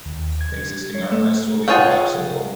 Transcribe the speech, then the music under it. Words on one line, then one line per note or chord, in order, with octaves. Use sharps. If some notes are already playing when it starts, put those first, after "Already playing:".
Existing armrests will be collapsible.
D#2
G#6
C#5
A3
F4 G#4 C#5 F#5 G5